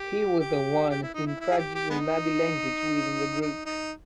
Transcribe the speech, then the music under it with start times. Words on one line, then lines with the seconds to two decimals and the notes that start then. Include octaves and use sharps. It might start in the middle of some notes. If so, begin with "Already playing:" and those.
He was the one who introduced the Nabi language within the group.
Already playing: G4
0.39 G4
0.90 G4
1.02 E4
1.14 D#4
1.27 E4
1.40 E4
1.51 G#4
1.57 G4
1.74 G4
1.90 G#3 B3 D#4
3.41 D#4
3.66 D#4